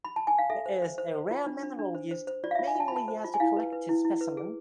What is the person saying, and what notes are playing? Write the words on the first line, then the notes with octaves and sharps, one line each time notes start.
It is a rare mineral used mainly as a collectors specimen.
B5
A5
G#5
F5
A4 E5
C5
C5
C5
C5
F4
D4
D4
D4
C5
C5
C5
F4 D5
F5
F4 E5
G#5
F4 A5
B5
F4 A5
C5
F4
G#5
E4 F5
B4
B4
E4
E4
B4
G#4